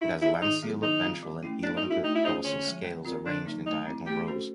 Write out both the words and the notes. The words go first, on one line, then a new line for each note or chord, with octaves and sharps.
It has lanceolate ventral and elongate dorsal scales arranged in diagonal rows.
D4 E4
E4 F4 G#4 C#5 E5
D#3 D#4
F#3 B3 E4 G#4
D#3 D#4
G3 C4 F4
E3
A3 C#4 E4
B3 D4
D#4
D4 F#4 A4
E4
A3 D#4
E4
C#4 D#4 F4 G#4 C5
D3 C#4
F3 G#3
G#3
C4 F4 A#4 D5
D3 D4
F#3 A#3 D#4
A3 D#4
C4 E4
A3 G4
C#4 F#4 A4 C5